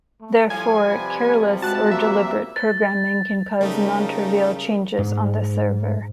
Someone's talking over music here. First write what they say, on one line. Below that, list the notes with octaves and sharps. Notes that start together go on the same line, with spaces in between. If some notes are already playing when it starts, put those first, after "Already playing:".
Therefore, careless or deliberate programming can cause non-trivial changes on the server.
A3
A2 F3 G3 G#5
C3 F3 G3 B4
A3
G#3 F#4 A5 F#6
A#3 E5
A6
C#3 G3 A3 D#4 A#4
G#2